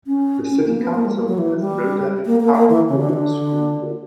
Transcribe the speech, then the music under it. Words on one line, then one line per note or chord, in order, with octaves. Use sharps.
The city council has no direct power over the school board.
C#4
C#4
A#3
B3
A#3
G3
A#3
F#3
E3
G3
A#3
A#3
A#3
E3
C#3
D3
E3
D3